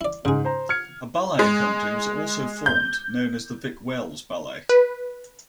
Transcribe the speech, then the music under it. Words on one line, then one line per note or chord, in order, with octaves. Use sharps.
A ballet company was also formed, known as the Vic-Wells Ballet.
E4 D5
G#2 C#3 D#4 G#4
C5 A#5
F6 G#6 C#7
G#3
G6
B4